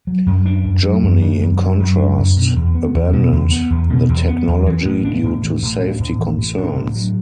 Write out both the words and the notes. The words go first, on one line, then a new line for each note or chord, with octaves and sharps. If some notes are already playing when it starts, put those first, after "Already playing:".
Germany, in contrast, abandoned the technology due to safety concerns.
F#3
F#2
D4
F#2
F#3
F#2
D4
F#2
F#3
F#2
D4
F#2
B2
E2
B3
E2
B2
E2
B3
E2
B2
E2
B3
E2
E3
A2
D4
A2
E3
A2
D4
A2
E3
A2
D4
A2
F#3